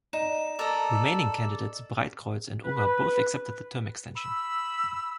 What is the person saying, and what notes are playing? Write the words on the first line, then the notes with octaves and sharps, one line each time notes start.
Remaining candidates Breitkreuz and Unger both accepted the term extension.
D#4 D5 E7
A4 A#4 D#5 D6 E6 A6
B4
B5 E6